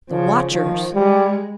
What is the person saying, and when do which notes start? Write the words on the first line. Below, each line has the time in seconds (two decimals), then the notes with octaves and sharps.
The watchers!
0.10 C#3 F3
0.52 D#3 F3
0.94 G3 G#3